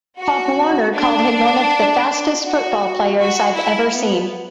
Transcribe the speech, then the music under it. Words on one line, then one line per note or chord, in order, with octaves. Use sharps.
Pop Warner called him one of the fastest football players I've ever seen.
F#4
D4
F#4
F#4
E4
B3